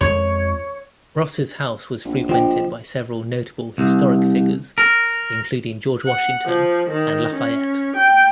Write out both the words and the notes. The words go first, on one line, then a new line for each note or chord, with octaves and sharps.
Ross's house was frequented by several notable historic figures, including George Washington and Lafayette.
F2 F3 G#3 C#5
A#1
F3 D4 D#5 G5
C2
A#4
F#5
F3
D#3
C#4
G5